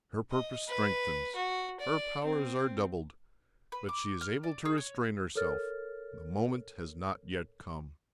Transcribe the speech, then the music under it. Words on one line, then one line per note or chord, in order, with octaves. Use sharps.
Her purpose strengthens, her powers are doubled, but she is able to restrain herself: the moment has not yet come.
D#5
B4
F#4
D5
C4
B4
D6
F6
D5
G#4
C#5
A4 A#4 C#5 F6 A6